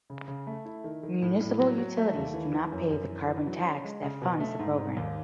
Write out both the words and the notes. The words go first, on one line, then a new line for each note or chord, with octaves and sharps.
Municipal utilities do not pay the carbon tax that funds the program.
C#3
C#3
A3
E4
D#3
D#3
A2
A2
F#3
F#3
A3
D#2
E3
E3
F#2
F#2
E3
E3
F#3
C#4
G#3
C#3
B2
A3
G#2
G#2
D#2